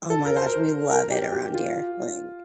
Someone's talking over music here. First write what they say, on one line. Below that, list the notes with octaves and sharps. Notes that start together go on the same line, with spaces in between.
Oh my gosh, we love it around here. Like
A4
A#4
C5
A#4
A#4
G4
G4
F4